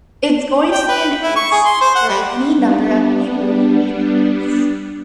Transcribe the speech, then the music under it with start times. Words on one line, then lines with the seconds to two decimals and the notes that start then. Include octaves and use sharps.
It's going to be an ace for any number of Hebrew comedians.
0.72 G5
0.88 B4
1.22 E4
1.36 C#6
1.52 G#4
1.65 C6
1.81 C5
1.95 F#5
2.09 G3
2.52 G3 B3 D4